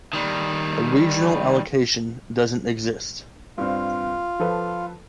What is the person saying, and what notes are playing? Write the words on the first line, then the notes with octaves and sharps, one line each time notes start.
A regional allocation doesn't exist.
D#3 G3
G2 C4 F4
F3 A4 B4